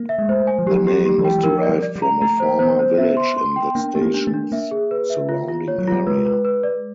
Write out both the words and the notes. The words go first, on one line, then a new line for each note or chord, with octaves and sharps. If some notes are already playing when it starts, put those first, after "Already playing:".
The name was derived from a former village in the station's surrounding area.
Already playing: A#3
E5
G#3
A3 C5
G#5
F3
F#3 G4
G4
F#3
G4
E3
G5
E3
F3 A#4
D5
G3
D5
G3
A#5
A3 A#5
C5
B3 C5
C5
B3 E5
C6
C6
G5
A#3 D4
A3 G4
A#3
D4
A3
D4
A#3 E5
G#4
B4
E5
F4
F4
C#5
F#3
G3 F4
G#3 B4
B4
B4
D5